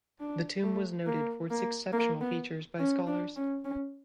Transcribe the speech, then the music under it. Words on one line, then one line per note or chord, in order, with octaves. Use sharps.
The tomb was noted for its exceptional features by scholars.
D4
A3
A#3
A#3
A#3
B3
C#4
D4
C#4
C#4